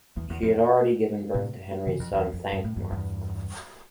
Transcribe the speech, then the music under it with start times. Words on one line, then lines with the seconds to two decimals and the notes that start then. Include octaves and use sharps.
She had already given birth to Henry's son Thankmar.
0.17 E2
0.30 E2
0.43 F2
1.34 A2 C3
1.87 C3 E3
2.00 F2
2.14 E2
2.34 F2
2.52 G2
2.64 A2
2.76 E2 G2
2.92 E2 G2